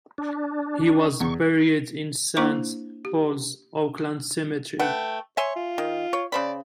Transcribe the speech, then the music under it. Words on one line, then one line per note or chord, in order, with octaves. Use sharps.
He was buried in Saint Paul's Oakland Cemetery.
D4
E2 C#6
A#3 D4 E4 C5 C#6 D6
G4
A3 B4 F#5 G5
C#5 E5 G#5 C6
F4
D#3
C#5
C#3 C5 D5 B5